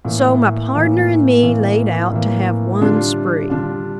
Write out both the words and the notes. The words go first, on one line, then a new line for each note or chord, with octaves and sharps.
So my pardner and me layed out to have one spree.
A2 E3 A#3
A2 E3 A#3
A2 E3 A#3
A2 E3 A#3
D3 G3 D4 F4
D3 G3 D4 F4